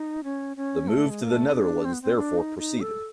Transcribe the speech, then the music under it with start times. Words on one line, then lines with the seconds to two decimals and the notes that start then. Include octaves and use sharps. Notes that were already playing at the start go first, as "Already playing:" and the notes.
The move to the Netherlands therefore proceeded.
Already playing: D#4
0.24 C#4
0.57 C#4
0.88 A3
1.10 G#3
1.23 A#3
1.30 A3
1.52 D4
1.85 C4
1.93 B3
2.02 C4
2.16 D4
2.37 D#4
2.59 D#4
2.81 A4